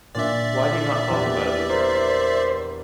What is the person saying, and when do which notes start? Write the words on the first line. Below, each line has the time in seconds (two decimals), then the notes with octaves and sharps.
Why do you not talk about it with her?
0.15 A#2 D4 D5 E5
1.10 E2 G4
1.70 A#4 C5